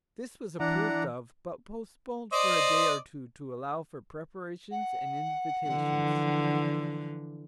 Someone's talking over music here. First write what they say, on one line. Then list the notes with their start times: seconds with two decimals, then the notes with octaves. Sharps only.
This was approved of, but postponed for a day or two to allow for preparations and invitations.
0.60 E3 D4 E4 D5 F#5 A#5
2.32 C5 D5 D#5
4.71 F#5
5.69 D3 E3 F3